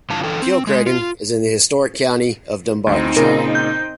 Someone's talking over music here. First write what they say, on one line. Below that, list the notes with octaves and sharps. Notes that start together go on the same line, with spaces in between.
Kilcreggan is in the historic county of Dunbartonshire.
G2 D3 E3 F4 A5
D3 E3 A4 G5
C4
G#3
F4
D2 C4 D#4
A#2 C#3 A#4
G6